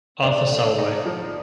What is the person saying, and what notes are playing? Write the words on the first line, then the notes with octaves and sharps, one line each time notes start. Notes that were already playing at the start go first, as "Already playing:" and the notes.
Arthur Salwey.
B3 D4
D3
D#4
F3